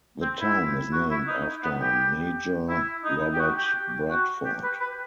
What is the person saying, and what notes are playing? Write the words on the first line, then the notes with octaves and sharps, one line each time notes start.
The town is named after Major Robert Bradford.
C4
E4
F#4
E4
D#4
B3
G4
E4
D#4
G4
F#4
G4
F#4
G4
B4
B4